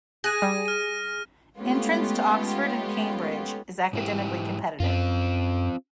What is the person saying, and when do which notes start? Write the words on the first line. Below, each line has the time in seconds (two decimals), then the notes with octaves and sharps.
Entrance to Oxford and Cambridge is academically competitive.
0.24 G#4 F#6 A#6 D#7
0.42 G3 D#7
0.66 F6 D#7
1.57 G#3 A3 B3 C#4 F4 G4
3.93 G#2 E4 G4
4.80 F#2 C4 F4